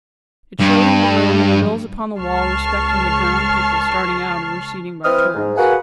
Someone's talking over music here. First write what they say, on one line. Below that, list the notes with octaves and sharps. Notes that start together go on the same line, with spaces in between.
It showed him the room, and the bills upon the wall respecting the drowned people starting out and receding by turns.
G2
C#2 A5 C#6 F6 C7
E3 C4 B4 D#6 F6
G#2
F#4 G#4 A#4 B4 F5 F#5